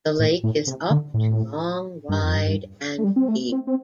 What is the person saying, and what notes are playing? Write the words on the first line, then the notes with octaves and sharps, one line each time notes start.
The lake is up to long, wide and deep.
A2
A2
C3
D3
A2
G2
F2
G2
A3
G3
C4
A3
C4
C4